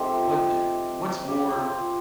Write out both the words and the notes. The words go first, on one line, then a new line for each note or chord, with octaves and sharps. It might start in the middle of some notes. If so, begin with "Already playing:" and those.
what, uh, what's more
Already playing: F3 A3 C4 D#4 G4
G4
F4